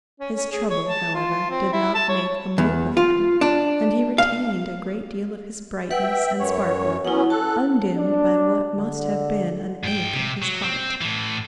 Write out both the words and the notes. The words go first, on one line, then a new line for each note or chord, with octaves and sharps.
His trouble, however, did not make a mope of him, and he retained a great deal of his brightness and sparkle undimmed by what must have been an ache in his heart.
C#4
C#4
G#4
C#5
A5
F4
C4
E4
A5
C#5
E2
F4
D4
F5
B4 E5 F#5 G5
F#2 C#5
F#3 B3 C#4 E4 F#5
A4 A5 F#6
D4
D3
G#2 G5
C3
F#3
C4
A2 E3